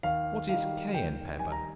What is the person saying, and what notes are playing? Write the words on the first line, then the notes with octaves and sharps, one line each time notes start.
What is Cayenne Pepper?
D#2 F5
D#3 G3 F5
D#2 G5
D#3 G3 G#5
A#5